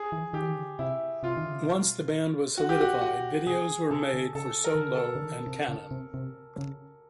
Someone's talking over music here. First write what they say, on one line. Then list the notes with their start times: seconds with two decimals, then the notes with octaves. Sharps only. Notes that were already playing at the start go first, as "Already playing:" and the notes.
Once the band was solidified, videos were made for "So Low" and "Cannon".
Already playing: G#4
0.12 E3
0.33 D#3 G4
0.42 E3
0.48 D#3
0.56 D3
0.79 C3 E4
1.23 C3 F4
1.37 D#3
1.45 D3
1.52 C#3
1.60 C3
1.68 B2
2.58 F#4
2.69 G4
2.81 F#4
3.01 F#4
3.47 C3 G#4
3.91 C3 A4
4.14 D3
4.35 C#3 A4
4.64 A#4
4.75 D#3
4.80 D3
4.95 A4
5.15 D3
5.25 D#3
5.47 C3
5.69 C#3
5.91 C3
6.14 C3
6.58 C#3